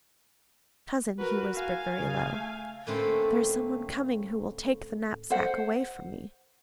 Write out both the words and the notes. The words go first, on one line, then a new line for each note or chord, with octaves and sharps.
'Cousin,' he whispered very low, 'there is someone coming who will take the knapsack away from me.
F#4 A#4 B4
F5 G#5
C#3
A3
A2 D3 A3 A#3 C4 C#4
C5 F#5